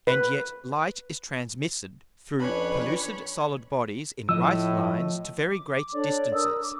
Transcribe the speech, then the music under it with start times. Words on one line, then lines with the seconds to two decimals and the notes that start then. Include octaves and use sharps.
And yet Light is transmitted through pellucid solid Bodies in right Lines to very great distances.
0.07 B4
2.39 F2 C#4 D4 B4 C#5 B5
4.29 A2 F3 D#5 E6
5.49 D6
5.92 D4 A4 C#5 D5
6.32 A#4 D#6 E6
6.62 D6